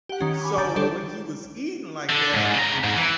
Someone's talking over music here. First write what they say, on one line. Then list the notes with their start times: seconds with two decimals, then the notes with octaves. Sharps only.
So when he was eating like that,
0.09 G4 F#5
0.21 D#3 C#4
0.42 G#5 B5 D6
0.58 D3 D#3 D6 G6 A6 D7
0.76 G3 D4 G4 A4 C5 C#5
2.09 D3
2.33 D2 G#2
2.54 C#3 A#5
2.84 G#2
2.96 E3